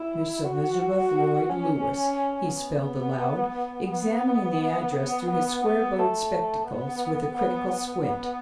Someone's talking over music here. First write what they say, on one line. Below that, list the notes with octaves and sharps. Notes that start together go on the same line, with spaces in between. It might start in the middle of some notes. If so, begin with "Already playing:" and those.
"Miss Elizabeth Lloyd Lewis," he spelled aloud, examining the address through his square-bowed spectacles with a critical squint.
Already playing: E4
F#4
C#4
B3
B3
B3
B3
B3
A3
B3
B3
B3
B3